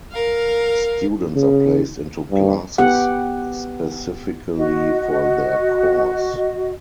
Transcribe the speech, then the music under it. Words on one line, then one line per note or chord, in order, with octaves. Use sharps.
Students are placed into classes specifically for their course.
A#4 F5
C#3
G2
B3 G4 F#5
F#4 D#5